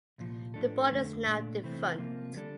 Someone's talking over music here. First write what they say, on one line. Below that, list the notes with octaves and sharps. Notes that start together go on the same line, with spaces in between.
The board is now defunct.
C2 A#2 F3
A2 F3 A3 D4 A4
F2 D3 A3
A#2 A3 D4
C3 E3 A3 C4
C3 F3 A#3 F4
D3 G3 D4 A4